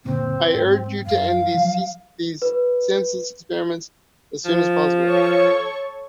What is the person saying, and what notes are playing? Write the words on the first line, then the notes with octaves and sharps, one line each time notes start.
I urge you to end these senseless experiments as soon as possible.
F#1 D2 A#2 C4
G#2
F#2 F5
F3 F#3
B4
F3
A4 C#5 C#6